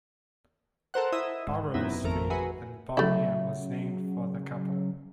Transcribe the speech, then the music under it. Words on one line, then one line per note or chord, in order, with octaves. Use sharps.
Burroughs Street in Bon Air was named for the couple.
A4 A#4 C5 F#5
E4 D#5 D#6 E6
G#2
F#2 C3 B3 D#4 E4
G#1 F2 A3 A#4
F#4 G#4 B4 E5
C#3 F#3 A3 E4